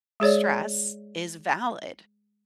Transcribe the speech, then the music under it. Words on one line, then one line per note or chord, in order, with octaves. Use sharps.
stress is valid.
G#3 G#4 C#5 D5